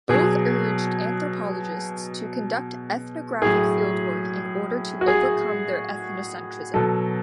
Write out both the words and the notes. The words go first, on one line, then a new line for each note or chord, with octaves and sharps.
Both urged anthropologists to conduct ethnographic fieldwork in order to overcome their ethnocentrism.
B2 F#3 G#4
A2 F#3 G#4
F#4
G#4
B2 F#3 A4